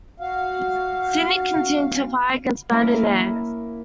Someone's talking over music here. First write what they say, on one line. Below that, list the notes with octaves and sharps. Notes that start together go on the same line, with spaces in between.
"Sydney" continued to fire against "Bande Nere".
F#4 F5
A#3 C#4 E4 A#4